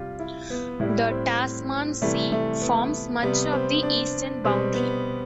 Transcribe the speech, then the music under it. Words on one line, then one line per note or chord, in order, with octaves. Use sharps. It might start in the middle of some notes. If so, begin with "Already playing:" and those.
The Tasman Sea forms much of the eastern boundary.
Already playing: C3 G3 F4 G4
E4
B3
A2 G3 E4
C4
C4
C3 E3 G3 A3
A3
B3
C3 G3 B3
C4
D4
B2 G3 C4
B3